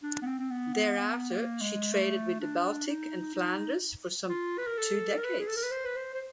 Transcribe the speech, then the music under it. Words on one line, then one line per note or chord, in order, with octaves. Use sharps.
Thereafter she traded with the Baltic and Flanders for some two decades.
D4
B3
C4
C4
B3
B3
B3
A#3
G#3
A3
D4
D#4
D#4
F4
B4
A#4
A4
A#4
B4
G#4
A4
A#4
B4
C5
B4
C5
C5